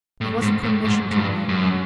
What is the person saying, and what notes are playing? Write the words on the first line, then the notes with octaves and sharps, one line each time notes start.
It was a commission to me!
A2
G#2
A2
G#2
G#2
G2
F#2